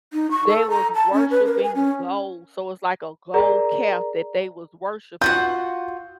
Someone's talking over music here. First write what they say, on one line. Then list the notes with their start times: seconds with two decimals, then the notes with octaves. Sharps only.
they was worshiping gold, so, it's like a gold calf that they was worshiping,
0.13 D#4
0.31 C#6
0.48 A4
0.70 A#5
0.95 A5
1.13 C#4
1.31 B4
1.45 A#4
1.63 G#5
1.75 C#4
3.34 G#4 A#4 D5 A#5
5.21 F4 F#4 F#5 G6